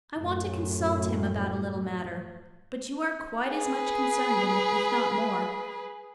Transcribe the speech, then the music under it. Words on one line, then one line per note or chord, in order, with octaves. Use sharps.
I want to consult him about a little matter; but you are quite as much concerned in it, if not more.
F#2 A2
G#4 B4